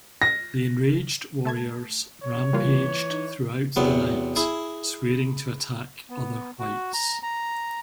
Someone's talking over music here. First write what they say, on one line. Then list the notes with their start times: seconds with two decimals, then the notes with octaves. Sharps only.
The enraged warriors rampaged throughout the night, swearing to attack other whites.
0.22 A#6
1.45 A3 A5 G#6
2.23 C#5
2.53 E3 G3 A#3 F4
3.11 D#4
3.76 E2 C3 F#3 B3
4.36 E4 G#4
6.10 B3
6.59 F#4
6.94 A#5
7.23 A#5